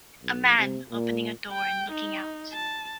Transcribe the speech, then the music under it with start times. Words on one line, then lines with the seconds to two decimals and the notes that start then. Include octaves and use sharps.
A man opening a door and looking out.
0.23 B1
0.58 C3
0.91 A#2
1.52 G5
1.92 D#4
2.52 A5